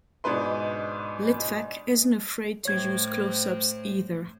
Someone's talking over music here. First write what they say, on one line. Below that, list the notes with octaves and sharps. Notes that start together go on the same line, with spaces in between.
Litvak isn't afraid to use close-ups either.
G#2 B2 D4 B4 C6
A2 C4 C#5 G#6